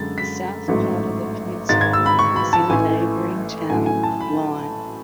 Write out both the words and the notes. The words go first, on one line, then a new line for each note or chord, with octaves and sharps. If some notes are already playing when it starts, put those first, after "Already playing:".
The south part of the peninsula is in the neighboring Town of Lyme.
Already playing: F#2 D3 G#3 A6
B6
A1 G#2 F#3 A3
G#1 G#2 G#3 A6
G#6
E6
B5
C#6
B5
A5
A1 A2 E3 A3 G#5
A1 A2 F#3 A3 G#5
G#5
A5
B5